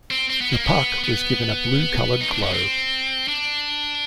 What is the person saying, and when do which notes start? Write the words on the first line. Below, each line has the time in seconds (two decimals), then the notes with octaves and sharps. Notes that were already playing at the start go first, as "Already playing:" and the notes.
The puck was given a blue-colored glow.
0.11 C4
0.30 C4
0.41 B3
0.52 A#3
0.64 B3
1.04 B3
2.21 D#4
2.31 D4
2.42 C#4
2.53 C4
3.28 D4